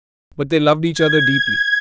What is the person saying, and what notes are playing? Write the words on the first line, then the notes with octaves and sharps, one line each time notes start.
But they loved each other deeply.
G#6